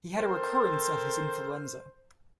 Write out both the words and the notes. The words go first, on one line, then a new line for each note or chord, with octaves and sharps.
He had a recurrence of his influenza.
C4 A4 A#4 C5